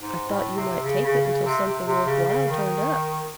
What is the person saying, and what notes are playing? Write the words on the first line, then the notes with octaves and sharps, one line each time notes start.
"I thought you might take it until something worth while turned up."
G#2
A2
C3
C#3
C#3
C#3
C3
C3
C3
C#3
C#3
D#3